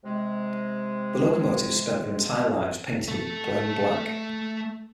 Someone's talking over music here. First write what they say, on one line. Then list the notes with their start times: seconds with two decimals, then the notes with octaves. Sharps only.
The locomotives spent their entire lives painted in plain black.
0.04 C3 G#3
3.08 A3 A4